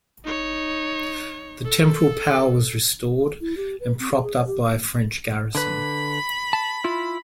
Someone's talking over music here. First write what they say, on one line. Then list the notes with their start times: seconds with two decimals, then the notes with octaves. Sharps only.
The temporal power was restored and propped up by a French garrison.
0.24 D#4 C#5
1.65 A4
3.41 E4
3.57 G4
3.80 B4
4.00 C4
4.12 G#4
4.23 G#4
4.36 C#5
4.47 G4
5.55 D3 B4 B5
6.53 A5
6.84 E4 F4